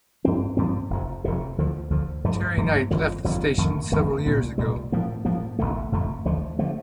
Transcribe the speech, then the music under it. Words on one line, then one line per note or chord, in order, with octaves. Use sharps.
Terry Knight left the station several years ago.
G2 F3 C4
G2 F3 C4
F1 F2 C3
F1 F2 C3
D2 D3 F3
D2 D3 F3
G2 F3 A3
G2 F3 A3
G1 F2 D3 F3
G1 F2 D3 F3
F2 D#3 A3
F2 D#3 A3
C2 A#2 G3
C2 A#2 G3
A2 F3 A#3
A2 F3 A#3
F1 F2 D3 A3
F1 F2 D3 A3
D#2 D3 F3 A3
D3 F3 A3